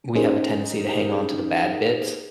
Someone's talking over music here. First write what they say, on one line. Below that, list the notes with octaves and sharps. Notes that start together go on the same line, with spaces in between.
we have a tendency to hang on to the bad bits.
C#4 D#4 G4 G#4 A#4 C5